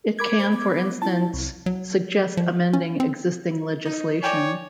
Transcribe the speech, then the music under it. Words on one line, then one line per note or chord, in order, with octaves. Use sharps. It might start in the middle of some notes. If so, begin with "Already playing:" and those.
It can for instance suggest amending existing legislation.
A#4 B5 D6 G#6
C5
B3
E4 A5
C2
F#3
F3
C#4
C4
D#4
C#5 D5 G5 G#5